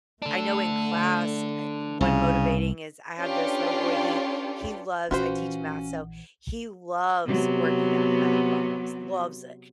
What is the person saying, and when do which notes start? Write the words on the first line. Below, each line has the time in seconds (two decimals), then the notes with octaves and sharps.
I know in class, er, one motivating is I have this little boy. He he loves I teach math, so he loves working out math problems. Loves it.
0.22 A3 D4 A4
2.01 C2 C#3
3.19 C#4 D4 F4 G4 A4 B4
5.11 A#1 E3 C#4 F4 F#4 B4 C5
7.25 C3 F#3 B3